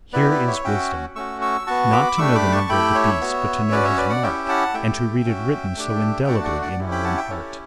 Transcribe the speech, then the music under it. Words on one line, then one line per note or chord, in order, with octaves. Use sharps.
'Here is wisdom': not to know the number of the beast, but to know his mark, and to read it written so indelibly in our own heart.
B3 E4 G4 B4 D5
B4 D5
C#5 E5
C#4 F#4 E5 G5
A3 C#4 F#4 C#6 E6
C#6 E6
B3 F#4 A5 C#6
B5 D6
A3 D4 G4 C#6 E6
B5 D6
A5 C#6
A3 E4 G4 G5 B5
C#5 E5
B3 F#4
C#4 F#4 B4 D5
C#5 E5
B4 D5
D5 F#5
C#4 E4 G4 E5 G5
F#5 A5
A3 E4 G4 E5 G5
C#4 F#4
A3 D4 G4
A3 D4 F#4 F#5 A5
D5 F#5
D5 F#5
C#4 E4 G4
G5 B5
F#5 A5
E5 G5
C#4 E4 G4 A4 C#5